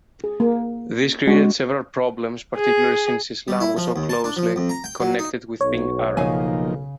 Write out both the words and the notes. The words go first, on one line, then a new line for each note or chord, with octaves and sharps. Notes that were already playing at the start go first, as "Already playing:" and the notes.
This created several problems, particularly since Islam was so closely connected with being Arab.
G#4
A#3
G#3 B3 D4 F#4
G#4
G3
E4
F3
D#2
A5
D4
F3
F2
A#5
G5
F#3
D#4
B1 C#5
C#3 F3 A#3 D#4 F5 G#5